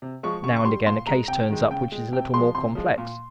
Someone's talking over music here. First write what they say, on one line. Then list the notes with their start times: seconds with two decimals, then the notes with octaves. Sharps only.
Now and again a case turns up which is a little more complex.
0.02 C3
0.23 F3 G#3 C#6
0.44 C#3 C#6
0.56 C#6
0.65 G3 C6
0.86 A#2 C6
1.07 G#3 A#5
1.28 C3 G5
1.49 D#3 G#3
1.70 C#3 G5
1.92 G#3
2.13 C3 G5
2.34 F3 G#3 C6
2.55 C3 C6
2.75 F3 G#3
2.98 A#2